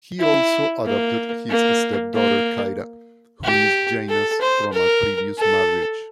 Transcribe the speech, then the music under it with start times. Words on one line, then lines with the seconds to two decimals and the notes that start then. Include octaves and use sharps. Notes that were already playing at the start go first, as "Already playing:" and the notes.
He also adopted his step-daughter Kyra, who is Jana's from a previous marriage.
0.20 E4
0.85 A#3
1.50 A#3
2.14 A#3
3.44 G4
4.09 A4
4.41 C5
4.73 A#4
5.38 A4